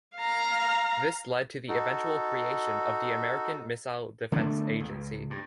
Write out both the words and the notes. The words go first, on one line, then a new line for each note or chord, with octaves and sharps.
This led to the eventual creation of the American Missile Defense Agency.
F5 A#5
D#4 F#4 A4
D3 A3 B3 D4
C#2
G2